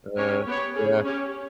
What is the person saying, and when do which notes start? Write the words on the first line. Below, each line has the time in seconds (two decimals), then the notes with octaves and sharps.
Uh, yeah.
0.16 C#4 G4 A#4 C#5
0.46 B3 G4 C#5
0.74 C#4 G#4 C#5
1.04 C#4 G4 C#5